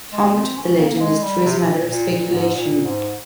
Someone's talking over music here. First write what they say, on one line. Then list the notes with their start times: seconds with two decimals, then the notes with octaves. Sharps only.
How much of the legend is true is a matter of speculation.
0.12 G#3
0.34 C4
0.57 C#4
0.79 A#3
0.91 A#3
1.01 G#3
1.23 G3
1.45 C3
1.58 C3
1.67 A#2
1.89 A#2
2.12 A#2
2.32 G#2
2.54 A#2
2.85 G#2